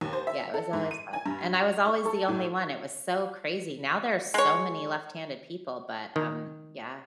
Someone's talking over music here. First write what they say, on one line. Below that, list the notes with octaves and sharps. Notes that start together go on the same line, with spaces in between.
Yeah, it was always fun, and I was always the only one, it was so crazy, now there are so many left-handed people, but, um, yeah,
D#2
C5
E5
A4
G#2
D#7
G#5
G2
F7
C#6
A4
A2
G#3 C#5
D#3